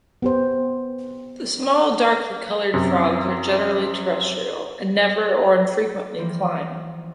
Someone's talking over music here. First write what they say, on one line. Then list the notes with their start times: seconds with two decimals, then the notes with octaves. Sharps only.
The small, darkly coloured frogs are generally terrestrial, and never, or infrequently, climb.
0.22 B3 G4 C5
2.74 F#2 C3
6.18 E3 F3 G3 A#3 F4